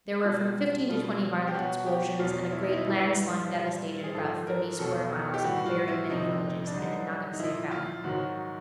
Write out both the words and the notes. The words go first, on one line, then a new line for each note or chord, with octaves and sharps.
There were from fifteen to twenty violent explosions, and a great landslide devastated about thirty square miles and buried many villages in the Nagase Valley.
B2 G3 F4
B2 G3 F4
G4
B2 F#3 F#4
G4
E2 B2 F#3 F4
E4
D#4
E4
G2 E3 G3
A#2 G3
G#4
G#2 F3 A4
A#4
E2 B2 F#3 A4
G4
A2 E3 G3 F#4
F#4
F4
E4
F2 C3 F3 D#4
D4
F#2 D3 G3 D#4
D#4
A#2 F3 E4
F4
G#2 D#3 F#3 F#4